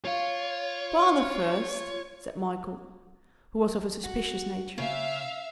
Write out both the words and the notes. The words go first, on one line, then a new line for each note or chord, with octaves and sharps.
"Father first," said Michael, who was of a suspicious nature.
F4 C#5 F5
F#4
C#3 E5 F5